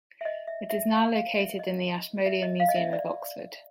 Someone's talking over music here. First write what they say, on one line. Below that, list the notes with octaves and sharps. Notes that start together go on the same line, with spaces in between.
It is now located in the Ashmolean Museum of Oxford.
E5
D#5
E5
E5
F5
F5
E5
D#5
E5
D#5
F5
D#5
E5
D5